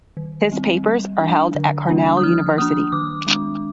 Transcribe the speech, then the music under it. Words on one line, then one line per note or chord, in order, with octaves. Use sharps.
His papers are held at Cornell University.
D#3
G3 C4
G3
D4
D3
G3 A#3 D4
D#6
F3 F6
A#3 D4 D#6
D#3 D6
G#3 D4